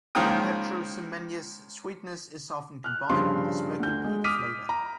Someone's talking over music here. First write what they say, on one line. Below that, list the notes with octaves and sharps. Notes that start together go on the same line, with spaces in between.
The Pedro Ximenez sweetness is often combined with a smoky peat flavor.
C#2 D#3 F3 A#3 G5 D#6
F6 F#6
G2 C#3 F3 C6
D2 G6
G#3
D6 D#6 F6 B6 D#7
A#5